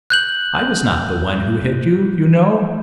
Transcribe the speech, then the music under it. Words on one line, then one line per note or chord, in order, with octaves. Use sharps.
I was not the one who hit you, you know.
F#6 G6 F#7